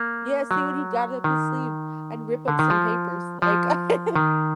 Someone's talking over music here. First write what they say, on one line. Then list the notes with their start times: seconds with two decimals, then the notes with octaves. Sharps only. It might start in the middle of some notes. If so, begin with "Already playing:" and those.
Yeah, see what he got up his sleeve. I'd rip up some papers, like, if
Already playing: A#3
0.51 F#3
1.24 D#3
2.48 D3
2.59 D#3
2.70 F3
3.42 F3
4.16 D#3